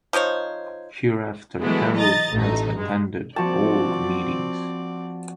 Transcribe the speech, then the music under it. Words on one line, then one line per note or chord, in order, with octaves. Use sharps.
Hereafter Peru has attended all meetings.
F3 D#4 C5 C#5
E3 F#3 G#3 A3 B3 E4
D#5 A#5 A6
A1 A3 D#4
G2 G#3
F3 A#3 C4 F#4 D5 A5